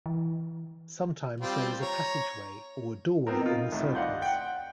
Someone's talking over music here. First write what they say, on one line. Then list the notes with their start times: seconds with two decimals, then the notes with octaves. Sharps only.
Sometimes there is a passageway, or a doorway, in the circles.
0.06 E3
1.40 G3 C4 F4
1.81 C#5 A#5
3.27 F3 B3 C4 A#4
3.41 D#4 F4
3.72 C2 A2 D#3
3.95 D5 D#5 F5 F#5 C6 G6
4.22 F#5 G5